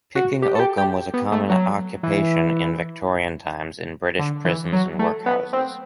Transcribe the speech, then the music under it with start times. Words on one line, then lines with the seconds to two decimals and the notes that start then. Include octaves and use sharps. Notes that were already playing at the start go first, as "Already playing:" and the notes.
Picking oakum was a common occupation in Victorian times in British prisons and workhouses.
0.15 F#4
0.42 G4
0.55 A4
0.60 G4
0.78 G4
1.14 B3
1.32 A3
1.49 F#3
2.03 E3
4.19 D3
4.45 E3
4.73 F#3
4.99 A3
5.26 B3
5.53 C4